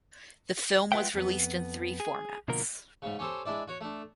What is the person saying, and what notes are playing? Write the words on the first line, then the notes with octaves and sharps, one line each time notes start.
The film was released in three formats.
G#3 F4 B4 E5 F#5 G5
F2 B3
G#4
B2 D3 F3 A#3 A#4
G#2 C#3
C#4 G4 A4 C5
G#3 D4 E4 D5
F#4 C#5
A3 D4